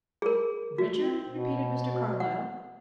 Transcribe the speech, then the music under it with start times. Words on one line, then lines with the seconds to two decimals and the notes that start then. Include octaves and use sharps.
"Richard!" repeated Mr. Carlyle.
0.22 G#4 A#4
0.78 A3 F#4
0.96 C4
1.28 B2
2.20 F#5